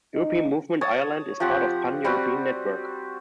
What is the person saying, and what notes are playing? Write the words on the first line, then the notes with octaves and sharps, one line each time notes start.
European Movement Ireland is part of a pan-European network.
D#4
C#5 A5 D#6
F3 C4 G4 F#5
G3 C4 F#4